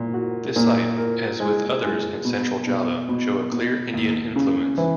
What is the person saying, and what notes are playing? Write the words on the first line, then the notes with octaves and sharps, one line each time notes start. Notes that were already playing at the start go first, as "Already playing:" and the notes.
This site, as with others in central Java, show a clear Indian influence.
Already playing: A#2
F#4
A#2
A#4
G#3
G#3
B2
B2
B2
B2
D#2
C#3
E3